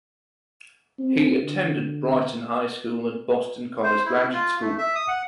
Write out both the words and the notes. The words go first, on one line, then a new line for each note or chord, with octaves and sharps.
He attended Brighton High School and Boston Commerce Graduate School.
C4
D3
C5
E4
F4
A3
E5
D#6
F#5